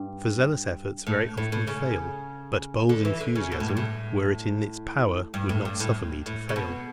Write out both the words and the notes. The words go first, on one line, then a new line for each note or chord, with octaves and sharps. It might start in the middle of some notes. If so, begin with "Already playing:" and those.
For zealous efforts very often fail: but bold enthusiasm, were it in its power, would not suffer me to fail.
Already playing: G2
A2
A2
A2
C#3
D3
E3
D3
C#3
B2
A2
G2
A2
G2
A2
G2
A2
A2
C#3
B2